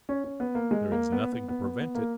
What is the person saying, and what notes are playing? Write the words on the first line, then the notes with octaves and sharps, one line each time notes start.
"There is nothing to prevent it."
C#4
C#4
B3
A#3
G#3
A#3
B3
B3
B3
B3
B3
A#3